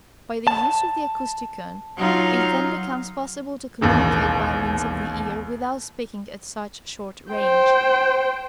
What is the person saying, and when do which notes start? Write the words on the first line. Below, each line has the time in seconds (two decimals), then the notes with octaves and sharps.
By the use of the Acousticon, it then becomes possible to communicate by means of the ear without speaking at such short range.
0.47 A5
1.97 F#3 D#4 F4
3.81 E1 A1 D#2
7.33 C5 G5